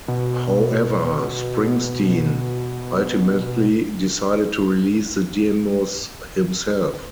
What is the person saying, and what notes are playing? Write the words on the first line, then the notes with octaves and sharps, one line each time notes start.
However, Springsteen ultimately decided to release the demos himself.
B2